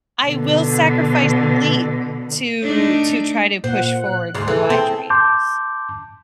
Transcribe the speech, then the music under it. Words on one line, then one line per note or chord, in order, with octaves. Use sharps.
I will sacrifice sleep to to try to push forward for my dreams.
B2 D3
A3 D4 D#4
A#2 C5 F#5
F#6
D2 G#2 C6
E3 G#4 A4
C4
A5 C6 D6 G6